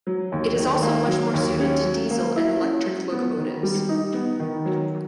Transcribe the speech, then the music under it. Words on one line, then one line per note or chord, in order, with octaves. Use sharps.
It is also much more suited to diesel and electric locomotives.
F#3
D#2
D#3
A#3
F#3
D#2
C#4
F#3
A#3
E4
C#4
F#3
B3
D#3
G3
D#4
B3
D#3
F#3